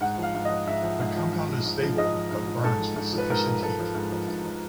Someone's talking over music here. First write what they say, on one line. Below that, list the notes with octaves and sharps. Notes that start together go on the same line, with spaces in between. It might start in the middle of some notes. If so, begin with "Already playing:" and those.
The compound is stable but burns with sufficient heat.
G#2 F#5
F3 F5
G#2
F3 D#5
G#2 E5
F3
G#2
F3
G#2
F3
G#2
F3
G#2 D#5
F3
G#2
F3
G#2 A4
F3
G#2
F3
B4
G#2 A#4
F3
G#2 A4
F3
G#2
F3
G#2
F3